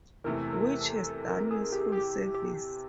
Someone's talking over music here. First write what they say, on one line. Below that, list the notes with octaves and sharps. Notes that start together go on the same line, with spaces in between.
Which has done useful service.
E2 C3 E3 A3 A#4
A#4
A4
A4
A#4
G#4
G4
G4
G4